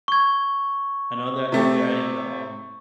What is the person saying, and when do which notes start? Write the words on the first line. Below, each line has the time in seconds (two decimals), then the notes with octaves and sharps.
I know that they're adding the, um,
0.08 C#6 G#6
1.52 C3 A3 C4